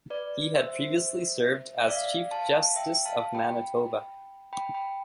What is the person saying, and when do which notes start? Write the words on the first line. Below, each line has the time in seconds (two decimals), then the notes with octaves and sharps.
He had previously served as Chief Justice of Manitoba.
0.10 B4 D5
0.55 C5 E5
1.81 E5
1.87 D5 F5
2.31 F5 A5
2.76 E5 G5
3.05 F5 A5
3.35 G5 B5
4.53 G5 B5
4.74 G5 B5